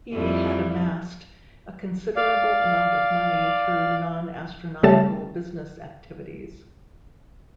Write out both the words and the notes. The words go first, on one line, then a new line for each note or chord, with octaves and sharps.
He had amassed a considerable amount of money through non-astronomical business activities.
F2 G3 E4
D5 F5
C#3 G3 A3 A5